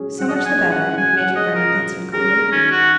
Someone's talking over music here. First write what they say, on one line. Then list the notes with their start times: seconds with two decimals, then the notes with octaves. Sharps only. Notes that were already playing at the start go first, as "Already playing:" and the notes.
"So much the better," Major Vernon answered, coolly.
Already playing: F#3 C#4 G#4
0.20 F#3 F#5
0.28 D#5
0.36 F#5
0.46 G#5
0.59 C#4 G#4
0.71 F#5
0.98 F#3 G#5
1.17 F#5
1.36 C#4 G#4 D#5
1.55 A#4
1.74 F#3
2.13 C#4 G#4 A#4
2.52 D#3 C#4
2.71 F#4